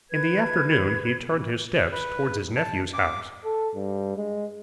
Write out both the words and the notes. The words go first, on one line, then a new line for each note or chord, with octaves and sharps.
In the afternoon he turned his steps towards his nephew's house.
B4 G#6
B4
A5
D6
A4
G2
G#3